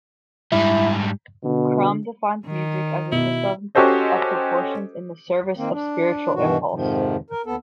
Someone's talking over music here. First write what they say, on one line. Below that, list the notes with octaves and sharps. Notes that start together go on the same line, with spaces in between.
Crumb defines music as a system of proportions in the service of spiritual impulse.
G#2 G3 E4
B2 D3
D#3
B2 E4
C#4 F#4 G4 A4 C5 D#5
D#3 A#3 C4
D4
G2 B2 D#3 E3 F#4
F2 G#2 C3 D#3 F3
A#4
D#2 B3 A4